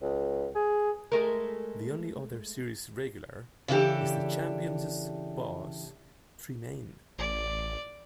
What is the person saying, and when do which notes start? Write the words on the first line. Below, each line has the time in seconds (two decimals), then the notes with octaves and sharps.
The only other series regular is the Champions' boss, Tremayne.
0.02 C#2
0.55 G#4
1.12 G#3 A3 A#4
3.68 C#3 E3 D4 G4 A4
7.19 A1 D5